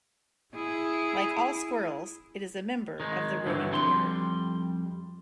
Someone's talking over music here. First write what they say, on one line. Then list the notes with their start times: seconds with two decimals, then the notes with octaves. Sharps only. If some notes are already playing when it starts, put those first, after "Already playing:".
Like all squirrels, it is a member of the rodent order.
0.55 E4 G#4
3.00 D#3 G#3
3.45 G2 D3 E3 F#3
3.71 F2 G3 G4 C6